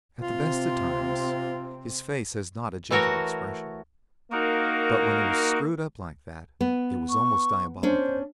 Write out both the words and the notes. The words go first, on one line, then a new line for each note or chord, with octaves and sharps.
At the best of times his face has not a gentle expression; but when it was screwed up like that it was almost diabolical.
C3 C4 F4
E3 A3 F#4 A#4 C#5
A#3 D#4 F#4 A#4
B3
C#6
C#4 D4 C5